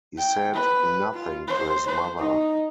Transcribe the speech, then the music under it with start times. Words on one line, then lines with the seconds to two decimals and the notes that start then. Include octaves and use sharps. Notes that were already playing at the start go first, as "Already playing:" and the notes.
He said nothing to his mother.
0.18 G5
0.53 B4
1.14 F4
1.47 C5
1.86 C5
2.18 D#4